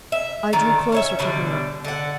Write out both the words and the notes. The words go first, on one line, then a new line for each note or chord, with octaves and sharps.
I drew closer to her.
E5
D3 D#3
C#4 C#5 E5
B2 D3 G3
D3 F#5